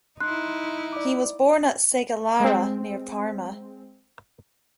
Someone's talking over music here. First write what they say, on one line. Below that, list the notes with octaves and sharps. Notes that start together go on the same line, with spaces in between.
He was born at Segalara near Parma.
D#4 E4 C6 F#6
D5 D6
G#3 C4